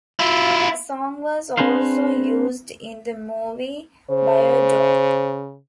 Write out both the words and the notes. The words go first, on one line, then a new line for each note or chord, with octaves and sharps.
The song was also used in the movie "Bio-Dome".
E4 F4
C4 D4 G#4 B4 C5 F5
C#3 C5